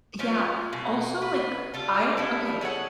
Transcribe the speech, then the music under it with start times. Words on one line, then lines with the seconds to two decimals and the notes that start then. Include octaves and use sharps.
Yeah. Also, like I Okay,
0.19 F3 B3 C#4 F4
0.73 B2
1.22 B4
1.74 G3 F4 A4
2.17 G3 E4 A4
2.61 G#4 A4 C#5 F#5